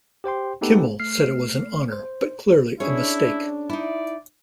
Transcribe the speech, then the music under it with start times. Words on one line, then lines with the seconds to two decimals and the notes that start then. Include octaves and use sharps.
Kimmel said it was an honor but clearly a mistake.
0.24 G4 C5 G5 C6
0.61 A3 B3 D#4 G4 A4 B4
1.00 A3 F6 C7
1.92 C5
2.80 C#4 D4 E4 G#4 C#5
3.70 D#4 E4 D5